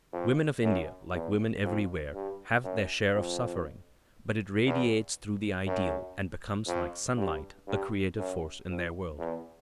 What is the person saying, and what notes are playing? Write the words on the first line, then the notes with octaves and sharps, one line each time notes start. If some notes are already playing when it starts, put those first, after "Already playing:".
Women of India, like women everywhere, have their share of suffering, but it radiates through the ideal, and becomes, like sunlight, a creative force in their world.
F2
F#2
E2
F2
G2
F#2
F2
E2
F#2
F2
G2
G2
F#2
F2
E2